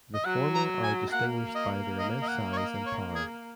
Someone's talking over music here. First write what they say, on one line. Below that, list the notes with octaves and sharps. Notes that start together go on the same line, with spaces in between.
The former are distinguished by their immense size and power.
D#5
F#3 F#5
A#5
G#5
A#3 F#5
D#5
D#5
D#5
F#5
C#5
D#5
C#5
G#4